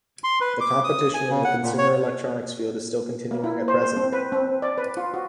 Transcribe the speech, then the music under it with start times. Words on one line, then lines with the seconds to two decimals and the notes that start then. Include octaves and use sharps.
The competition in the consumer electronics field is still continuing at present.
0.24 C6
0.41 B4
0.61 D6
0.84 D#6
1.14 G#5
1.30 C#3
1.44 F#5
1.63 A#2
1.78 C#5
3.31 A#3
3.44 E4
3.68 C5
3.82 C5
3.97 C4
4.12 B4
4.32 C4
4.62 D5
4.78 B4
4.97 F4
5.14 F#4